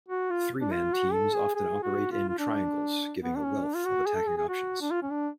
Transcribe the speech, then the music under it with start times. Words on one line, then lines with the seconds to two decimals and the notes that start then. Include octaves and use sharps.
Three-man teams often operate in "triangles", giving a wealth of attacking options.
0.09 F#4
0.30 F4
0.61 D4
0.72 F4
0.93 F#4
1.14 A4
1.34 G#4
1.55 G#4
1.83 F#4
2.12 F4
2.29 F4
2.39 D4
3.22 B3
3.36 D4
3.44 C#4
3.65 D4
3.75 F4
3.85 F#4
4.06 G#4
4.16 A4
4.27 G#4
4.37 G#4
4.49 F#4
4.81 D4
4.91 F4
5.02 C#4
5.11 D4